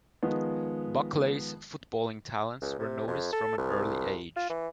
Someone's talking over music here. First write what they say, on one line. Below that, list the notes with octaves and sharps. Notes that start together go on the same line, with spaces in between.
Buckley's footballing talents were noticed from an early age.
D#3 F3 G#3 B3
C#2
C3
F2
A4
C2
F4
E3